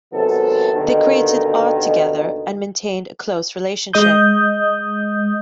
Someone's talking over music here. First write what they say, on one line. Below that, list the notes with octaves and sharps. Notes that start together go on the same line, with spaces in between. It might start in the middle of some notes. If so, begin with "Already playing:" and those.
They created art together, and maintained a close relationship.
C3 D#3 F#3 G#3 B3 A4
D#2 B2 D3 D#3
G#3 D#5 D#6 G6